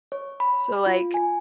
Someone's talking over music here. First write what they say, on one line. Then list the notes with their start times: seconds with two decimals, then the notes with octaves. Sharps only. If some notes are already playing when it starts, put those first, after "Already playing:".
So like
0.12 C#5
0.40 B5
0.86 F4
1.14 G#5